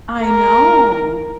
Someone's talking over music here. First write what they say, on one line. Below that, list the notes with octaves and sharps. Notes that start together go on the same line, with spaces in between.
I know.
A#4